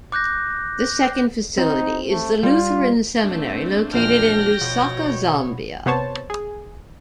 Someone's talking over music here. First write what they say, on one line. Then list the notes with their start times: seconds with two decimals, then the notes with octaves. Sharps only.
The second facility is the "Lutheran Seminary" located in Lusaka, Zambia.
0.12 D6 F#6 G6 A#6
1.58 C4 D#4
2.10 A3
2.43 G3 F4
3.24 A3 C4 D4
3.94 A#1 E2 C5 G5 F6 A#6
4.61 B2 F3 C#5
5.86 C3 B3 C5 C#5 A5
6.30 G#4